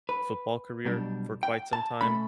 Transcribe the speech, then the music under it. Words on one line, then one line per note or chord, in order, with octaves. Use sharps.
football career for quite some time.
B4
B1 B2 G3 D4
G5
A5
B2 A3 C#4 B5